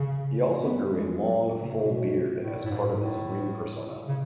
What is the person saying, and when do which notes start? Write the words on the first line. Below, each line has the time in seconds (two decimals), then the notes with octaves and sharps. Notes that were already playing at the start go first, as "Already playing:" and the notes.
He also grew a long, full beard as part of his ring persona.
Already playing: C#3
0.61 B3
0.92 G#3
1.22 F#3
1.61 C#3
1.75 A2
1.81 B2
2.40 A2
2.65 A2
2.70 G#2
3.00 A2
4.08 C#3